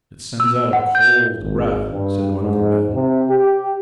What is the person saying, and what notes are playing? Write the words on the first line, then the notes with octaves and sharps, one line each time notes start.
"It sends out a cold breath," said one of the men.
E6
F#5
G6
G#1
G2
G#2
C3
G4